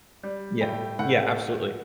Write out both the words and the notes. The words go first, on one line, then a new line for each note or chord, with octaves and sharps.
Yeah, yeah, absolutely.
G3
A2 G5
A2 F#5